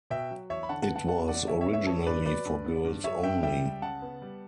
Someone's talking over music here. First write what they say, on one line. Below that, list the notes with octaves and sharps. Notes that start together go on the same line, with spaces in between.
It was originally for girls only.
B2 E5 G5
F#3
E2 C#5 E5
B5
D3 F#5 A5
F#5 A5
B3
F#5 A5
F#3 F#5 A5
E2 D5 F#5
D3 C#5 E5
C#5 E5
B3
C#5 E5
B3 A4 C#5
G2 B4 D5
F#3 B4 D5
G2
B3
G2
F#3 C#5 E5
G2 E5 G5
G3 E5 G5
C#2
C#3 F#5 A5
B3
G3